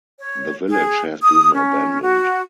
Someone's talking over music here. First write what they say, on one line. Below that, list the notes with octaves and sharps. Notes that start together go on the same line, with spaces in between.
The village has been abandoned.
C#5
G#4
D#6
C#4
F#4